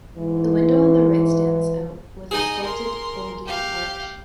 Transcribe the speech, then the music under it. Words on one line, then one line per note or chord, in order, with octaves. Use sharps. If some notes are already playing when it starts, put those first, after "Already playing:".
The window on the right stands out, with a sculpted ogee arch.
G#2 E3
D#4 G#4 D#5 G#5
A#4 C6
G4 F5